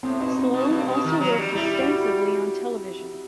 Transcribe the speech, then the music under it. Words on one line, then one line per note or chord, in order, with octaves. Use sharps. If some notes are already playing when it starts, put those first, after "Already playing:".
Sloane also worked extensively on television.
A2 C4
B2 D#4
D#4
B2
G2
B2
D#3
F#3
G3
G3 E4
F#4